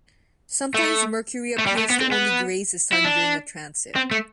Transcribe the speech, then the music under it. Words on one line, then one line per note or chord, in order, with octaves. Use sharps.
Sometimes Mercury appears to only graze the Sun during a transit.
A3
A3
G3
A3
B3
C4
B3
E4
D4
C4
A3